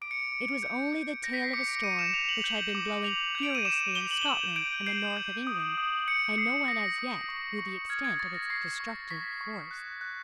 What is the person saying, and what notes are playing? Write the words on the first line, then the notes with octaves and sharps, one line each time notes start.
It was only the tail of a storm which had been blowing furiously in Scotland and the north of England, and no one as yet knew the extent of its destructive force.
D6 D7
C#7
D7
D6
G6
G6
G6 A#6
B6
C7
D6 C#7
D7
D6 D#7
E7
G6 F7
F#7
G6 F#7
D6
D6 F7
G6
D7
D#7
D6 E7
D#7
D6 G7
F#7
G7
G6 F#7
G6 D7
G6 C7
G6
D#6
D#6
G6 C#7
D#6 C7
D#6 A#6
D#6
C#6
C#6
F6 G#6
G#6
C#6 A6
A#6
C#6 C7
C#6
C#6 B6
C#6
F#6
F#6